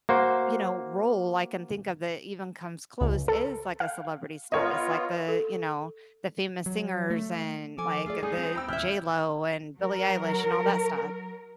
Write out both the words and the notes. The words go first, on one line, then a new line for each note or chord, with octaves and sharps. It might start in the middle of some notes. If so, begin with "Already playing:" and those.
you know, role I can think of that even comes close is, like, a celebrity status, like, the you know, the famous singers, and like, uh, the J.Lo, and Billie Eilish, and all that stuff,
A#3 F#4 C5
C#2
A4
F5
B3 F4 A#4 C#5 D#5
A4
F#3
A3
F3 A4 G#5 D6
A3 F4 G#4 D5
G#3 D#4 G#4
C4
G5 B5 E6
A1 D#2 E4 E5 F6 G6
F#3 A#4